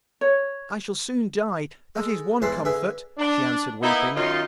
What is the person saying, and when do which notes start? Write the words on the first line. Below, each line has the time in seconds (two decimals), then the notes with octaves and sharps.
'I shall soon die, that is one comfort,' she answered weeping.
0.21 C#5
1.95 G#3 A4
2.42 E2 G#2 E3 B4 A5 C6
2.65 D3 G#4 B4 E5
3.18 D4
3.81 A#3 B3 D#4 E4
4.15 F#2 D#3 D#4 F4